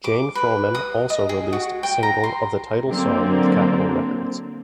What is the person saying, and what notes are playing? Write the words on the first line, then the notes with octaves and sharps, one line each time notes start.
Jane Froman also released a single of the title song with Capital records.
D6
B4
D#6
D#5
G#4
F#4
G5
A#5
C6
D3 F#3 A#3 C4